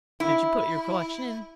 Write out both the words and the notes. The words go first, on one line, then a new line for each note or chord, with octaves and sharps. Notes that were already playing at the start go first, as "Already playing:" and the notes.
"Did you put your collection in?"
E4